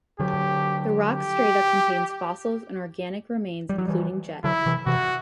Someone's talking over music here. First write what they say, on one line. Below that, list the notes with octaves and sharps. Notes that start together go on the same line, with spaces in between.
The rock strata contain fossils and organic remains including jet.
D3 F#3 G4
G4
G3
F#3
E3 G3
D3 F#3 E4
C3 E3
C3 E3 F#4